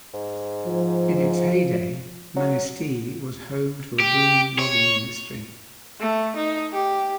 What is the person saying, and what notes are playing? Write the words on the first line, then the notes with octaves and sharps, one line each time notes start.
In its heyday, Manistee was home to a booming logging industry.
G#2
F3
F#3
G4
C#5
A3
D#4
G4